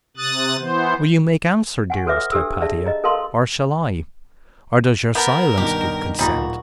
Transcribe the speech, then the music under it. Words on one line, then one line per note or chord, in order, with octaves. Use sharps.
Will you make answer, dearest Hypatia, or shall I?....or does your silence give consent?
C3 D#6 F#6 A6
E3 B3 C5
F#5 G#5 C#6
F#4 A4 B4 C#5 E5 D6
D4 G4 A4 E6
G#4 D5 E5 A5
D#5 A#5
A4 A#4 F5 A5 C6
B3 A#4 A5 G6
G2 B2 D#3 G4
D1 A#2 G3 A#3 D#4 F#4